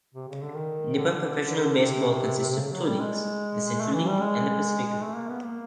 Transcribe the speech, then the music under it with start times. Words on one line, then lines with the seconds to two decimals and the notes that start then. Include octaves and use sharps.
Nippon Professional Baseball consists of two leagues, the Central League and the Pacific League.
0.15 C3
0.29 C#3
0.42 D3
0.55 D#3
0.96 D3
1.77 C3
2.51 C3
2.59 C#3
2.72 F#3
2.86 G3
2.99 G#3
3.81 A3
3.94 E3
4.07 G3
4.21 G#3
5.03 A3
5.15 A#3
5.30 B3
5.43 A#3